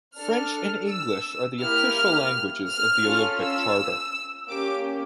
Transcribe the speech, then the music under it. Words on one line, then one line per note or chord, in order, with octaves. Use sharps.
French and English are the official languages of the Olympic Charter.
D4 A4 F6
E6
A#3 E4 G4 F6
F6
C#4 F4 A4
E6
A#3 C#4 G4 D6